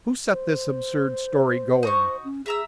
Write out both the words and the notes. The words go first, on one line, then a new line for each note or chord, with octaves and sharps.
"Who set this absurd story going?"
C5
D#4 F#4 C#6
C#4
G#4 E5 A#5 E6